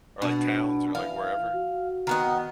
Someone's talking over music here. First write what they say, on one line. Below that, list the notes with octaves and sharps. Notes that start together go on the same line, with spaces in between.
or, like, towns or, like, wherever,
B2 D4
E3 F5
F#4
D#3 B3 D#5